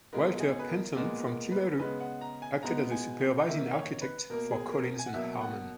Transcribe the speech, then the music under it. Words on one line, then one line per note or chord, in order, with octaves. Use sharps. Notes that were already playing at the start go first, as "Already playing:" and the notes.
Walter Panton from Timaru acted as the supervising architect for Collins and Harman.
B2 G#3 B3 A#4
G#4
B4
A#4
A#2 G#3 B3 A#4
A#4
B4
C#3 G#3 B3 B4
F#5
A#5
G#5
B2 G#3 B3 A#5
G#5
D#3 A#3 E5
C#5
B4
B2 A#3 A#4
G#4
A#4
G#5
F#5
B2 F#3 A#3 E5
F#5